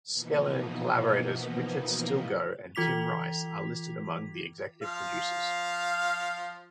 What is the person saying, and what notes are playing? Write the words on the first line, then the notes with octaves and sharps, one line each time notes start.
Skellern collaborators Richard Stilgoe and Tim Rice are listed among the executive producers.
B2 E3 F3 A#3 B3 D#4
E3 F4 D6 B6 F7
F3 F5